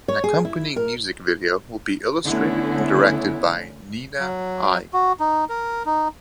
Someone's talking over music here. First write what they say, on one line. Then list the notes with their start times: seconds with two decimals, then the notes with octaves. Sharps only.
An accompanying music video will be illustrated and directed by Niina Ai.
0.08 C#5
0.24 G#4
0.45 E4
0.76 A#4
2.25 D3 A3 B3 C#4 E4
4.19 F#3
4.93 F#4
5.20 D#4
5.49 A#4
5.86 D#4